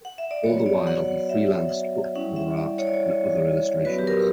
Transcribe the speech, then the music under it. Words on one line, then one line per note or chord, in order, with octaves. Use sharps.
All the while he freelanced book-cover art and other illustrations.
F#5
E5
D5
F#3 B3 F#4 C#5
D5
F#5
F#5
E5
G3 C#4 E4 F#5
E5
D5
C#5
D5
C#5
F#3 B3 F#4 B4
G4
A#4